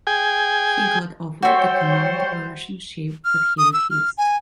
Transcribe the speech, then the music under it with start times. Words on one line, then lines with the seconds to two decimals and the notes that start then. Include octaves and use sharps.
He got offered the command of a Russian ship, but he refused.
0.07 G#4 G5 G#5
1.42 G3 F#4 C5 C#5 E5 G5
3.25 F6
3.58 D#6
3.73 E6
3.91 F6
4.18 G#5